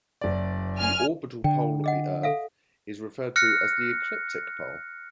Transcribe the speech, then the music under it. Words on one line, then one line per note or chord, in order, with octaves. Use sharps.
The orbital pole of the earth is referred to as the Ecliptic pole.
F#1 D5
G#5 F6
D3 G5
G#4 D#5 F#5
A4 E5 F5
F6 F#6 A#6 C#7